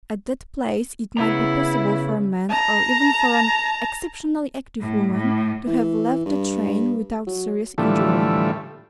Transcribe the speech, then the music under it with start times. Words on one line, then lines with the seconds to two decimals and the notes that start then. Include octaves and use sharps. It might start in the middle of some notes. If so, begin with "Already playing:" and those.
At that place it might be possible for a man, or even for an exceptionally active woman, to have left the train without serious injury.
1.17 C#3 B3 E4 A#5
2.49 A5 A#5
4.80 A2
5.13 A2
5.67 E3
6.26 G2
7.27 F#3
7.78 A2 D3 E3 F3 G3 A3